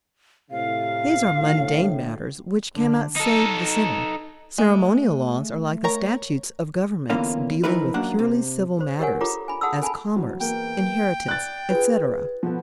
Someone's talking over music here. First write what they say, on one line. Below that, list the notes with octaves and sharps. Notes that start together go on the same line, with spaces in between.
These are mundane matters which cannot save the sinner. Ceremonial laws are like the statutes of governments dealing with purely civil matters, as commerce, inheritance, etc.
A2 C3 F5
D2 A2
D3
D#4 A4
G#3 A3
A#4 C#5 A#5
D3 E3 A#3 B3 C#4 F4
E3 F3 D#4 E4 A#4 B4
F#2 A#3 D4 F#5
C3
C5
G4 G#4 A#4 C#5 F#5 G#5
F4 G4 A4 C#5 A#5 D6
G#5 B5
G#4 F#5 A5 C6 D#6 E6
A4 G#5 A5 B5
D2 E3 F#3
E2 A#3 G5
D5 F#6 A6
F4 G#4 B4
B2 F3 B3 A4